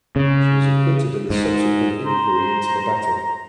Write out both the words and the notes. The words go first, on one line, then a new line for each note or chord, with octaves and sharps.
He was acquitted in the subsequent inquiry into the battle.
C#3
G#2
C5 A#5